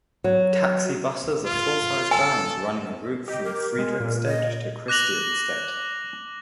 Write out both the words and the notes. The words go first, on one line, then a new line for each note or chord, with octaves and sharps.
Taxi buses are full-sized vans running a route from Frederiksted to Christiansted.
F#3
F4
A4 G#5
G4 D#5
A#4
G#3
A#2
D#5
D6 F#6 A#6 F7 F#7